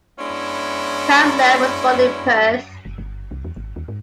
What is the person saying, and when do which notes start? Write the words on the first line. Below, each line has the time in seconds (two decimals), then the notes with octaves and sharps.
Campbell was born in Perth.
0.19 G#3 B3 C#4 D4 E4
2.85 F#1
2.98 G1
3.31 C2
3.45 E2
3.56 G#1
3.76 D#2
3.88 G#2